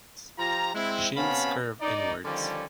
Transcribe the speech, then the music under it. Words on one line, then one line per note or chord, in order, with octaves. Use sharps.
Shins curve inwards.
F3 F4 G4 A#5
G#3 C4 E4
C3 B3 C#4 F5 A5 B5
D#4 D5
D3 D#3 F3 G3 C#4